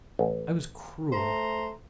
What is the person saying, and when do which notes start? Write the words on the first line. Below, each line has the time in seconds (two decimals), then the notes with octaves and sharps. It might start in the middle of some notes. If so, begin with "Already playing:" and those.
I was cruel!
0.19 A1
1.13 A3 C5 A#5